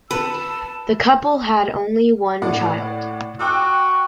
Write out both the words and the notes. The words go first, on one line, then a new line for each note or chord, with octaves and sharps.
The couple had only one child.
B4 A5 E6
A2 D5 F#5
F#4 G5 D6 E6